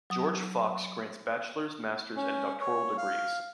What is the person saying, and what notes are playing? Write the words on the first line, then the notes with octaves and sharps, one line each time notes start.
George Fox grants bachelor's, master's, and doctoral degrees.
F#3 D#6
C#4
C#5
F5